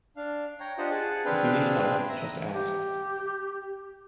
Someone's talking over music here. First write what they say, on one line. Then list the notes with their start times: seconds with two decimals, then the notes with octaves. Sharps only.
If you need help, just ask.
0.17 D4 F5
0.60 C#5 G5 A#5
0.78 D4 F4 G4 C5 D#5 F#5
0.91 G#4 F#5 A5
1.25 C4 D4 G#4 B4 F5 G5
2.09 E5 A#5
2.52 G4